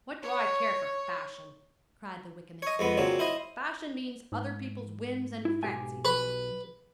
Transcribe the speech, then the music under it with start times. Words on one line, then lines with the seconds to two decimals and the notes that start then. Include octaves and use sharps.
What do I care for fashion?' cried the Wykehamist. 'Fashion means other people's whims and fancies.
0.23 C#5
2.62 C#5 D#5
2.79 F2 G#3 B3
2.97 A#2 C#3 F#3 C4
3.19 E4 C5 D#5
4.32 G#2
5.45 E4
5.63 B1 G4 G#5
6.05 B4